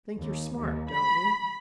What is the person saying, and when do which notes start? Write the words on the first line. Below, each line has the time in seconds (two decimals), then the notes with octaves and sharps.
Think you're smart, don't you?
0.18 D#2
0.57 D#2
0.92 B5